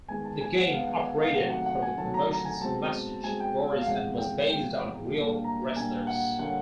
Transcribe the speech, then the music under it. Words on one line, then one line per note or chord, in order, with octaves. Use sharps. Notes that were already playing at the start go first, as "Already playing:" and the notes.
The game operated from the promotion's message boards and was based on real wrestlers.
D#3 G#3 B3 G#5
A5
G#5
F#5
D#3 G#3 B3 F5
F#5
F5
C3 D#3 F#3 A3 F#5
F#5
F#5
G#5
C3 D#3 F#3 A3 A5
A#5
A#5
G#5
B2 G#3 C4 A5
B2 G#3 C4 G#5
G5
F5
F5
E2 C3 F3 G#3 F#5
G5
E2 C3 F3 G#3 G5
A#2 G3 A#3 D4
A#5
A#2 G3 A#3 D4 G#5
F#5
D3 G3 A#3 C#4 F#5